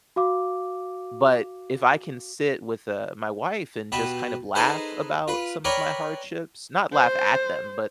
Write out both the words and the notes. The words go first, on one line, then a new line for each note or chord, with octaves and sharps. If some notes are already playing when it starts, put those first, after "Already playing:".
But if I can sit with, uh, my wife and just kind of laugh about some of my hardships, not laugh at them but
F#4 F5 D6
B2 G4 B4 A5
D#4 G#4 A4 B4 C5
F4 B4
A#4 B4 C#5 D5 G5 B5
C5